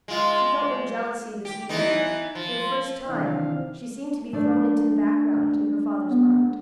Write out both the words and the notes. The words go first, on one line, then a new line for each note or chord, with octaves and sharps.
She felt no jealousy this evening that, for the first time, she seemed to be thrown into the background in her father's mind.
G#3 F4
G4
E3 B3 D#4
F3
C3 D#3 E3 C4 D4 F5
A3 D4 D5
B3